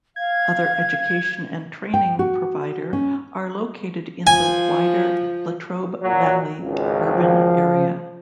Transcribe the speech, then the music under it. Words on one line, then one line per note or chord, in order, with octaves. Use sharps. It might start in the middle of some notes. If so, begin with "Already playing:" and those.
Other education and training provider are located in the wider Latrobe Valley urban area.
F5 G#6
G5
F#4
C#4
F3 G#5
A#2 F#3
G#1 C#2
F3